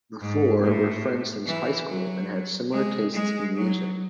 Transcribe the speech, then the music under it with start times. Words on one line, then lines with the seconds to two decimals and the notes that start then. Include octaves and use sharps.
The four were friends since high school and had similar tastes in music.
0.21 G#2
0.63 A2
1.46 E3
1.88 F#3
2.72 G#3
3.13 G#3
3.55 F#3